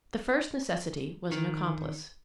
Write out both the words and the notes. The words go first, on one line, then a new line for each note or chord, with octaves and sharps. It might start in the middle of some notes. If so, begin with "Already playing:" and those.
The first necessity was an accomplice.
D#3